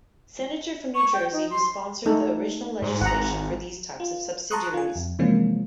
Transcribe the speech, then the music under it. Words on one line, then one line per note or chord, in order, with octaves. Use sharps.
Senator from New Jersey who sponsored the original legislation for these types of subsidiaries.
C#6
G5
D#4
C6
A3 D#4 A4
G#2
G#1 F#5 A#5
F4
A5 A#5 C6 C#6 D#6 F#6
F4 G#5
F2
C3 E3 F3 G#3 A#3 C#4